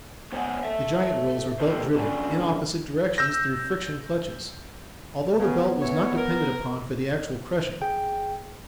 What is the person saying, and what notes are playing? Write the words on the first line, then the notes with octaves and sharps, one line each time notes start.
The giant rolls were belt-driven, in opposite directions, through friction clutches, although the belt was not depended upon for the actual crushing.
B3 C5 C#5 D#5 F#5 G#5
A4 E5
C4 G4 A4 C5
D3 G3 C#4
E6 G6 A#6
C#3 B3
E3 E4 C#5
A#4
G#4 G5